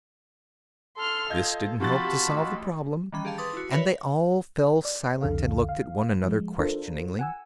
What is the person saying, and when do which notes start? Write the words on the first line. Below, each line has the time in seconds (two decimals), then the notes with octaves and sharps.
This didn't help to solve the problem, and they all fell silent and looked at one another questioningly.
0.97 A4 C6 F6
1.30 F4 D#5 G6 G#6
1.80 C3 F3 F4 F#4 A5 B5 A6
2.28 A1
3.12 D#3 E3 G3 C#4 B5
3.25 G4 G#4 F5 A5
3.38 B4 C6 D6 D#6 A6
3.53 E4 F#4
3.71 A#4 B4 C#5 D5 E5 B5
4.85 D5
5.21 C2 F2 D3 A4 F5
5.69 F5
6.24 F3 G#3
6.59 D4 F4 A4 A#4 C5
7.19 F#5 G#5 E6